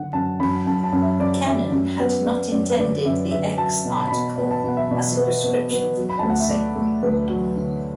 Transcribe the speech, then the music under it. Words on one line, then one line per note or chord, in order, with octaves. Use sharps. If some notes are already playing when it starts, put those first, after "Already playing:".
Kennan had not intended the "X" article as a prescription for policy.
Already playing: D3 F#5
F#2 A5
F#2 B5
F#2 A5
A5
F#2
E5
F#2 D5
F#2 E5
F#2
B3
B3 D5
F#2 D5
B4
D3 D5
F#2 E5
D3 E5
F#3 A5
B2
B5
A5
B2 B5
B3
A5
B2 F#5
E5
B2 D5
B3 B4
B3
B3
F#3
B5
D2 A5
F#5
E5
A3 D5
A3
D2 B4
F#3
D3